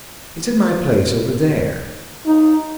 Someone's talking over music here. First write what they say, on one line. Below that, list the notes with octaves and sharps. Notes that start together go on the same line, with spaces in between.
It's at my place over there.'
D#4